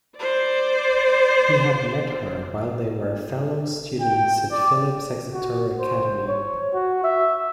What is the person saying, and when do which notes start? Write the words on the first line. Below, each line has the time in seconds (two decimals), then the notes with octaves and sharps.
He had met her while they were fellow students at Phillips Exeter Academy.
0.18 C5 D5
4.01 G5
4.52 D5
5.34 F#4
5.80 C5
6.27 C#5
6.74 F#4
7.04 E5